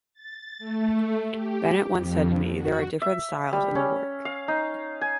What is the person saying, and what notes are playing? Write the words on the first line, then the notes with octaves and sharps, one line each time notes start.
Bennett once said to me, 'There are different styles in the work.
A6
A3
G4
F2
F#4
E5
G3
C#4
F5
D#4
G#5